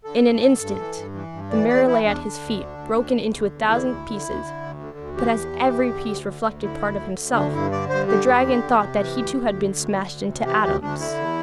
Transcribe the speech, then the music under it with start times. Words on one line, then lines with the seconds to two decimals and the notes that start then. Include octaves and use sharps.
In an instant the mirror lay at his feet broken into a thousand pieces, but as every piece reflected part of himself, the dragon thought that he too had been smashed into atoms.
0.04 D3 A4
0.24 G2
0.41 D3
0.60 G2
0.77 E3
0.97 G2
1.14 E3
1.33 G2
1.50 E3 D5
1.68 E2 D5
1.87 E3 E4
2.05 E2 D4
2.24 D3
2.42 D2
2.60 D3
2.78 D2
2.97 D3
3.15 E2
3.33 D3
3.52 E2
3.69 D3 E4
3.88 D2
4.07 D3
4.25 D2
4.42 D3
4.61 D2
4.79 D3
4.98 D2
5.16 E3 G4
5.34 E2
5.53 E3
5.70 E2
5.88 D3
6.07 D2
6.25 D3
6.43 D2
6.61 D3 E4
6.80 D2
6.99 D3
7.17 D2
7.34 D3 D4
7.53 G2 E4
7.72 D3 D5
7.89 G2 C5
8.08 D3 G4
8.26 E2
8.45 D3
8.63 E2
8.80 C3
8.99 E3
9.17 D2
9.36 D2
9.54 D3
9.72 D2
9.90 D3
10.08 D2
10.27 C3
10.45 E3 G4
10.63 D2 G4
10.81 D2 D4
10.99 D3 E4
11.17 E2